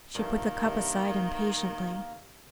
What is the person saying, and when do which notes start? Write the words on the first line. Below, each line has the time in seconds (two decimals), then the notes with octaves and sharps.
She put the cup aside impatiently.
0.15 G2 D#3 F3 A3 A#3 A#4
0.63 G2 C3